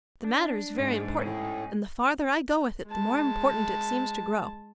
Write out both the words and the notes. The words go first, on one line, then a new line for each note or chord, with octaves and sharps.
The matter is very important, and the farther I go with it, the more important it seems to grow.
D4
G#2
A2 C#4 D#4 G#4
G#3 A5